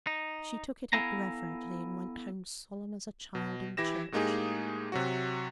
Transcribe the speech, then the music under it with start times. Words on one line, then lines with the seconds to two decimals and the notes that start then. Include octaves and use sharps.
She took it up reverently and went home solemn as a child in church.
0.07 D#4
0.93 B3 E4 A4 F5 G#5 A#5
3.35 B2
3.77 E3 E4 G4 A#6 E7
4.12 A2 G#3 A#3 D#4 G4 G#4
4.92 C3 F#3 F#4